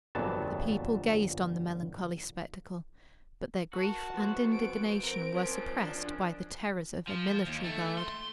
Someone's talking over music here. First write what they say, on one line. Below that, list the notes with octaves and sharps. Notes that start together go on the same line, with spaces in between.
The people gazed on the melancholy spectacle, but their grief and indignation were suppressed by the terrors of a military guard.
G1 F2 A#2 F#3 B3 A5
F#4 A#4 A5
F3 B3 B4
C4 C5 D7
A#4
F3 C#4
D4
F3
D#2
A3
C6